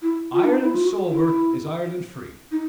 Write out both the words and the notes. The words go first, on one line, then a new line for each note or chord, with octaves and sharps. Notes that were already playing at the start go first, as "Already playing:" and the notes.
Ireland sober is Ireland free.
E4
F4
D4
D#4
E4
F4
F#4
E4
D#4